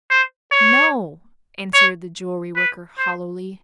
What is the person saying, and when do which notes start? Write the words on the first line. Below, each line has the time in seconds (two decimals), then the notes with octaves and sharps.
"No," answered the jewelry worker, hollowly.
0.10 C5
0.51 C#5
1.74 C#5
2.56 B4
2.98 C5